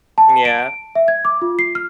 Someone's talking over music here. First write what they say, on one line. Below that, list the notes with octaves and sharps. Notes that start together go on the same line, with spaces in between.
Mm, yeah.
A5
D7
E5
G#6
D6
F4
C7
F6